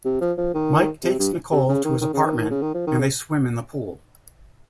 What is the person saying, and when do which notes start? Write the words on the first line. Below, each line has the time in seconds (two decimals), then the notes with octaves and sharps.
Mike takes Nicole to his apartment, and they swim in the pool.
0.05 C3
0.21 F3
0.38 F3
0.54 D#3
1.03 C3
1.19 G2
1.52 C3
1.69 C#3
1.85 D#3
2.01 D#3
2.14 C#3
2.26 D#3
2.38 D#3
2.51 C#3
2.62 D#3
2.75 F3
2.87 D#3
2.99 C#3